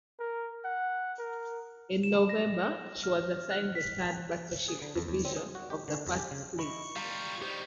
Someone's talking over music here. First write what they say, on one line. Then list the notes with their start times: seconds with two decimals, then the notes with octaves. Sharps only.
In November, she was assigned to the Third Battleship Division of the First Fleet.
0.19 A#4
0.64 F#5
1.19 A#4
2.03 E7
2.29 A#6
3.04 F6
3.51 F#6
3.75 B6
4.68 G#4
4.82 D3
4.96 F2
5.08 E2
5.25 C4
5.37 G#4
5.55 F#4
5.70 G4
5.88 D3
6.07 F2
6.19 G4
6.31 C#3
6.59 E4 D#5 B5 C#6
6.96 G3 F4 F5 A#5 C6
7.41 D#3 G3 G4 C5 D5